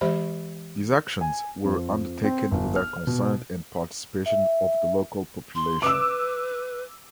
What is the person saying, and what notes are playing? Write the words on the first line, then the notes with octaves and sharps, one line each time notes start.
These actions were undertaken without consent and participation of the local population.
E3 G#3 G4 C5 E5 B5
G#5
F2
C4
G1
F6
B2
E5
C6
B4 D6 E6